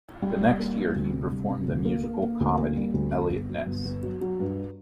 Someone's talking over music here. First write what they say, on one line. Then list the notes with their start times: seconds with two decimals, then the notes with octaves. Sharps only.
The next year, he performed in the musical comedy "Eliott Ness".
0.22 G3
0.41 G3
0.59 A#3
0.77 G3
0.96 D2
1.13 C3
1.32 G3
1.50 C3
1.68 D2
1.85 A#3
2.03 A#3
2.22 A#3
2.40 D2
2.58 A#3
2.77 G3
2.94 D2
3.12 C4
3.30 G1
3.49 F#3
3.66 G1
3.85 G1
4.03 F#3
4.21 F#3
4.40 G2